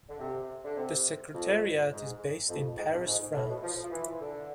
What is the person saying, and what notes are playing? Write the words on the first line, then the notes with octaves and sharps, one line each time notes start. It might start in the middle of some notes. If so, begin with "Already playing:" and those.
The Secretariat is based in Paris, France.
D3
C3
D3
C3
F2
G#2
F2
G#2
F2
G#2
A2
B2
F3
F3
E3
D3